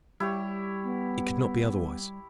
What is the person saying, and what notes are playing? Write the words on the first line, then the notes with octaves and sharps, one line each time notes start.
It could not be otherwise.
G3 E4 G4 C#5
B3